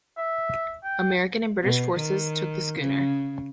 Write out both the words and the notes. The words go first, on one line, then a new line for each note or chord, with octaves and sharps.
American and British forces took the schooner.
E5
G5
B2
D#3
C#3